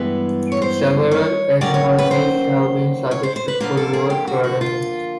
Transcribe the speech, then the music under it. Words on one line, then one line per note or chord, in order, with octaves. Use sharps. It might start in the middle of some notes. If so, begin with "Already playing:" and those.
Several etymologies have been suggested for the word "Radhanite".
Already playing: G2 E3 G#3 B3 B4
C#5
C5
C#5
D#3 F#3 A#3 C#4 D5
C#5
B4
C5
C#5
C5
C5
B4
D3 F3 A#3 A#4
A4
G#4
G4
F#4
F#4
F4